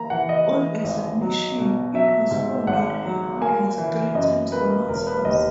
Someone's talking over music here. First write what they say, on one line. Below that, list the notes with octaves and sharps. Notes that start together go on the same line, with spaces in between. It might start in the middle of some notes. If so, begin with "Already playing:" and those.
On examination it was found that her heart was three times normal size.
Already playing: E3 A#3 A#5
E3 F#5
D#5
E3
G#1
F#3
B2
F#3 E5
G#2
G#1 F#5
F#3
A#3 G#5
E3
F#2 D#5
A#3 B4
E1 A#4
B4
D#2 D#5